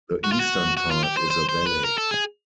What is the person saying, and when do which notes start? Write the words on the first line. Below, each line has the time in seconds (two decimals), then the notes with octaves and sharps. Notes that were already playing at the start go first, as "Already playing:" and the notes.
The eastern part is a valley.
0.24 F#4
0.32 F4
0.40 F#4
0.77 F#4
0.91 F4
1.04 G4
1.17 C5
1.30 C5
1.49 C5
1.66 B4
1.84 A#4
1.98 A4
2.11 G#4